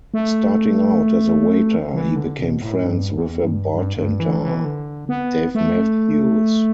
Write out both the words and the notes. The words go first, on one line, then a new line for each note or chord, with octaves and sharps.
Starting out as a waiter he became friends with a bartender, Dave Matthews.
A3
E3
D3
B2
A2
G2
E2
G2
G2
G2
E3
E3
D3
B3
A3